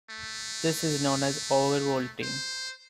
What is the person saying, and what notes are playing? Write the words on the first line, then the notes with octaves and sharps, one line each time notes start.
This is known as overvolting.
A3
C5